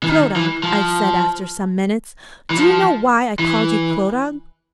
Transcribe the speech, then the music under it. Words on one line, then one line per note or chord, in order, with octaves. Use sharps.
'Clodagh,' I said after some minutes--'do you know why I called you Clodagh?'
E3
D#3
E3
F3
E3
F3
E3